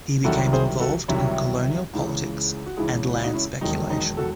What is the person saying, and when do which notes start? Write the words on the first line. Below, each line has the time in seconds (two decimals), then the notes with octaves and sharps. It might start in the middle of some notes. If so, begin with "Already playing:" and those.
He became involved in colonial politics and land speculation.
0.24 C2 C3 D#3 F#3 F#4 A4
0.53 G#4 C5
0.80 F#4 A4
1.08 C2 C3 D#3 F#3 C#5 E5
1.93 C#2 C#3 E3
2.66 F#4
2.77 C#2 C#3 E3 E4 G#4
3.05 F#4
3.14 E4
3.23 D#4 F#4
3.33 C#4 E4
3.61 E1 E2 D#3 F#3 D#4
3.90 D#4
4.17 F#4 A4